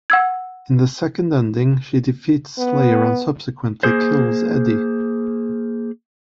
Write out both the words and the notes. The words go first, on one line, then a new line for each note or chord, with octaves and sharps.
In the second ending, she defeats Slayer and subsequently kills Eddie.
F#5 E6 G#6
B3
A#3 G#4 C5